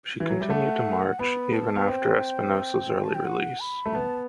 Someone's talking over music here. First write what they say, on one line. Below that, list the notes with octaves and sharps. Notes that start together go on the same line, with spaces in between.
She continued to march even after Espinosa's early release.
E3
F#3
G3 E5
A3 F#5
B3 B5
A5
B3
C4 G5
A5
G5
F#5
B5
A3
B3 A5